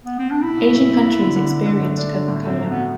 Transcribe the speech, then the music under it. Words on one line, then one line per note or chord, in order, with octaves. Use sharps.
Asian countries experienced Coca-Cola.
B3
C4
D4
B2 E4
B2
A3
A3
B3
D3
D3
D3
D3
A3
D4
D3
A2
A3 C4
F#3
B3
F#3